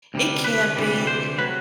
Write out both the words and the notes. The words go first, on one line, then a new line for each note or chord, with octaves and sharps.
It can be,
D2 C3 G3
B4
D2 C3 E3 G3
C5
C3 F#3 B4